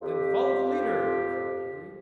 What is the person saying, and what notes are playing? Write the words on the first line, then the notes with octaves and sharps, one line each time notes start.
"Then follow the leader," he cried gaily.
F2 F3 G4